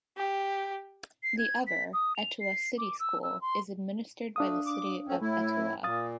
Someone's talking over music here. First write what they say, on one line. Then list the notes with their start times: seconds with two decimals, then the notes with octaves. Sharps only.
The other, Etowah City School, is administered by the city of Etowah.
0.17 G4
1.23 C7
1.38 G#6
1.67 B6
1.93 D#6
2.16 F7
2.40 C7
2.78 D6
3.00 E6
3.23 E6
3.41 C6
4.36 A3 D4 F5 D#6
4.66 D6
5.08 A3 C4 C#4
5.22 A2 A3 E4
5.84 A#2 F5 D#6 A6